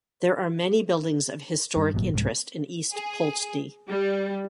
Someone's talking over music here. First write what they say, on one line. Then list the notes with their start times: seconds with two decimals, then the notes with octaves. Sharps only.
There are many buildings of historic interest in East Poultney.
1.76 G2
1.94 G#1 G2 A#2 F#3
2.14 C2 G#2
2.92 G#4
3.89 G3